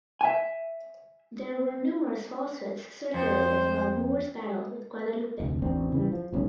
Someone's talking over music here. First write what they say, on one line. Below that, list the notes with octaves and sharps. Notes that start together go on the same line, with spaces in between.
There were numerous falsehoods circulated about Moore’s battle with Guadalupe.
E5 G#5
F2 C5
F1 D2
A1 E2 C4 D4
C#3 E3 G3
F3
F#1 B1 G#2 C#4